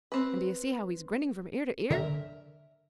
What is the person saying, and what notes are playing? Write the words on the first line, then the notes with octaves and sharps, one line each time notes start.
And do you see how he's grinning from ear to ear?
C4 B4
D3 A#4 E5